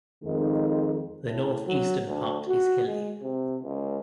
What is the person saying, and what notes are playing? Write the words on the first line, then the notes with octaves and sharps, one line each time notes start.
The north-eastern part is hilly.
F2 D#3 G#3 D#4
A2
F#3
D2
F#4
G#3
C3
C#2